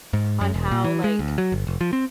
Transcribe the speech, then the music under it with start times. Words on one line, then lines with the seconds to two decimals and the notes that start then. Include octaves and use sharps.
on how like,
0.13 G#2
0.41 F#2
0.54 E1
0.72 A#2
0.84 E3
1.04 G#3
1.19 D2
1.38 F#3
1.52 G1
1.67 F1
1.81 F3
1.93 C4